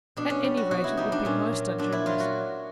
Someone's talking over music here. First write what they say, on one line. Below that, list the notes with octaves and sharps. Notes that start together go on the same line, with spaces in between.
At any rate it would be most ungenerous.
B2 D4
C#4
G3
F#4
B2 F#4
E4
G3 D#4
D4
A#2 C#4
F#3
A#2 D4
E4
F#3 F4
F#4